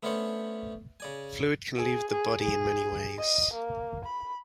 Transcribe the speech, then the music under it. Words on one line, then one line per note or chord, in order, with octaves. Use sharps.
Fluid can leave the body in many ways.
A3 B3 C#4 D4 C5 F#5
C#3 D5 G#5
G#4
G#4
G#4
D#5
A#3
B5